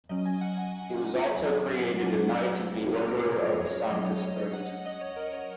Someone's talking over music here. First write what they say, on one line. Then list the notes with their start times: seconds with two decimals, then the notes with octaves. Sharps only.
He was also created a knight of the Order of Saint Esprit.
0.09 F#3 C#4 D#5
0.26 G#5
0.41 F#5
0.57 F#5
1.53 G#5
1.76 F#5
2.01 F#3 A#3 C#4
2.95 C#5
3.08 A#4
3.19 G#4
3.30 A#4
3.43 C#5
3.67 C#5
3.90 F#3 C#4 D#5
4.06 C#5
4.22 C#5
4.38 D#5
4.53 F#5
4.86 D#5
5.01 C#5
5.17 A#4
5.33 C#5